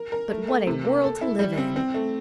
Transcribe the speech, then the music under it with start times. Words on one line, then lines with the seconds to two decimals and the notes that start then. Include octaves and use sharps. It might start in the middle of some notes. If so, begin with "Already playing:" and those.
But what a world to live in!
Already playing: A#4
0.12 A#4
0.30 A3
0.48 A3
0.67 C3
0.85 A#3
1.04 A4
1.21 E4
1.39 G3
1.58 C4
1.76 C4
1.94 A3